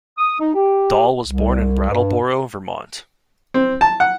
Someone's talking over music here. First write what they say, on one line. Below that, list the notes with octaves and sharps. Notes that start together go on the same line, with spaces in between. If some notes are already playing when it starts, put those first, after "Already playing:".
Dahl was born in Brattleboro, Vermont.
D#6
D#4
G4
C2
G2
C4
A5
F#5